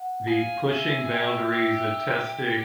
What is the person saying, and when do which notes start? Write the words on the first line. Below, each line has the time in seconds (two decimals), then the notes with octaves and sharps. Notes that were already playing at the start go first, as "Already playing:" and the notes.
the pushing boundaries and testing,
Already playing: F#5
0.28 G#4 F5
0.69 G#4 E5
1.04 G#4
1.11 G4
1.52 G4